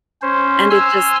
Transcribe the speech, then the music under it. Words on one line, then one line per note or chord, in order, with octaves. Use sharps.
and it just
C#4 C5
G#5 C6 E6 F6